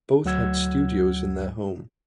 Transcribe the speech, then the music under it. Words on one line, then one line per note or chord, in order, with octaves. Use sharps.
Both had studios in their home.
D2 F#3 F#5 E6 G#6